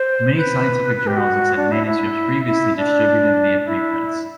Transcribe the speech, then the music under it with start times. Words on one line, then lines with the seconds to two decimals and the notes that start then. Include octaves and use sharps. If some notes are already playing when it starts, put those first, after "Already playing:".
Many scientific journals accept manuscripts previously distributed via preprints.
Already playing: C5
0.37 B4
0.97 B4
1.07 G4
1.17 F#4
1.57 D4
1.72 E4
1.87 E4
2.46 E4
2.77 D4
3.66 E4